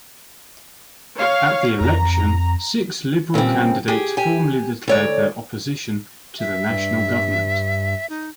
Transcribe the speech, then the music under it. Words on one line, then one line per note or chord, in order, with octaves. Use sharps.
At the election, six Liberal candidates formally declared their opposition to the National Government.
C#5 F5
F2 A#5
A#2 C#3 G3 C4
G4 G#4
G4 G#5
D2 C#5 D5
E5
G2
D#4